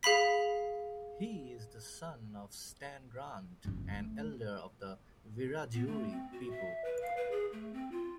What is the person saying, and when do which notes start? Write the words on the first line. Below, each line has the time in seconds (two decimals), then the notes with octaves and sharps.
He is the son of Stan Grant, an elder of the Wiradjuri people.
0.03 G#4 F5 B5 B6
3.65 G1 F#2
3.94 A3
5.74 B3
5.87 A3
6.11 C4
6.32 F#4
6.50 E5
6.85 B4
7.01 F5
7.17 B4
7.31 G#4
7.52 A3
7.73 C4
7.92 F4